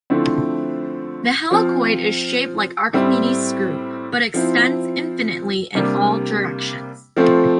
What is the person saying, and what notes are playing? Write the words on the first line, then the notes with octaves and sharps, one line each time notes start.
The helicoid is shaped like Archimedes screw, but extends infinitely in all directions.
D3 F3 A3 C4 E4
F3 C4 F4
A2 G3 C4 E4
F3 C4 E4
C3 G3 A#3 D4
F3 A3 C4